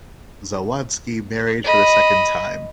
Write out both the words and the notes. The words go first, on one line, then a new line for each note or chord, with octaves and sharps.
Zawadzki married for the second time.
D#5 B5